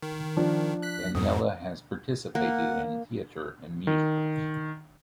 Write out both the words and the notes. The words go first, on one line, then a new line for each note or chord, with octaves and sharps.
Daniela has participated in theater and musicals.
D#3
F3 D4
F#6 B6
F2 G#2 B2 D#6
A#3 F#5
D#3